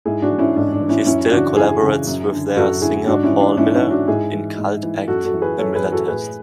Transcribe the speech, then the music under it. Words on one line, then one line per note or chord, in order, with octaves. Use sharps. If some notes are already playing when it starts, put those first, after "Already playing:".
He still collaborates with their singer Paul Miller in cult act the Miller Test.
G#2 E4 G#4
D4 F#4
E3
C#4 E4
G#2 D4
D4
E3
C#4 E4
F#2 C#4 E4
C#3 E3 D4 F#4
F#2 E4 G#4
C#3
E3
F#2
D3
F#2 F#4 A4
D3 E4 G#4
G#2 D4 F#4
C#4 E4
E3
D4
G#2 C#4 E4
C#4 E4
E3
D4 F#4
G#2 E4 G#4
E3
G#2
E3
F#2 F#4 A4
F#4 A4
E3
G#4 B4
F#2 A4 C#5
G#4 B4
E3
F#4 A4
A2 G#4 B4